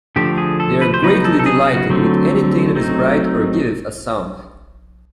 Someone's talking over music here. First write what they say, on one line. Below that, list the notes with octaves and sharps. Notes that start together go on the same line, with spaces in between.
They are greatly delighted with anything that is bright or giveth a sound.
D3 F3 A3 D4 G4
G#4
A4
B4
C5
C#3 F#3 B3 D#4 B4
A4
A4
G#4
F#4
D3 F#3 A3 C4
F#3 A3 C4 D#4